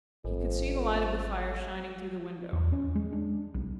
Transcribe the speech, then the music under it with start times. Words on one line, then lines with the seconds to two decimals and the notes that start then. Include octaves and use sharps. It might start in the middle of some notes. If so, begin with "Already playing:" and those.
He could see the light of the fire shining through the window.
0.25 G#1 F2
2.53 E2
2.72 C#4
2.95 G#3
3.13 D4
3.54 B1